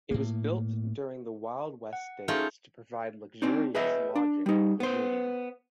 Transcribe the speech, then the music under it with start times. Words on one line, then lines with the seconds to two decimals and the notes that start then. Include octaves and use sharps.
It was built during the Wild West days to provide luxurious lodging and cuisine.
0.11 A2 A#3
1.93 F#5
2.28 A3 C#4 D#4 F4 G#4 G6
3.42 C4 D4 D#4
3.75 G#4 B4 D#5 E5
4.16 D4
4.46 G3 D#4
4.80 B3 C5